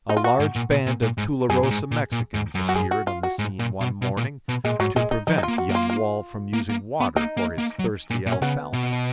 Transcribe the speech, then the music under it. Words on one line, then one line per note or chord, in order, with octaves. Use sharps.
A large band of Tularosa Mexicans appeared on the scene one morning, to prevent young Wall from using water for his thirsty alfalfa.
D#4
F4
F#4
G#2
A#2
A#2
A#2
A#2
G#2
F#2 G#4
A#2
G#2
A#2
A#2
G#2
F#2
F#4
G#4
F#4
F4
F#4
G#2
A#2
B2
B2
A#2
B2
A#2 G#3
G#2 F#3
A#2 G#3
D#4
F3 D#4
D#4
F4
A#3
F#4
A#3
F4
F4
A#3
A#3
B3
A#3 D#4
A#3
A#3
F#3
A#2
A#2
C#4
C#3 B3
B2